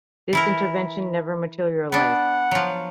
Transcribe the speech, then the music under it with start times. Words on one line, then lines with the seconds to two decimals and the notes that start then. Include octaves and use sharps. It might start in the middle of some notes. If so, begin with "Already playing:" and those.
This intervention never materialised.
0.33 E3 E4 A#4
1.92 B3 D4 F#5
2.51 F3 F#3